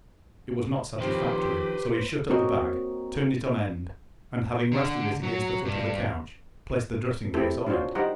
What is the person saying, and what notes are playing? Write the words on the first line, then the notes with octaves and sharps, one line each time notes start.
It was not satisfactory, so he shut up the bag, turned it on end, and, having rested it against the foot of the couch, placed the dressing-case on it.
D#3 F3 C4 G4 B4 C5
A#3 C4 F#4 A#4 C#5 D#5
D3
F#3
G2
A3 C4 E4 G4 A4
D4 F4 F#4 C5 C#5
G3 D#4 G4 C5 F#5 A#5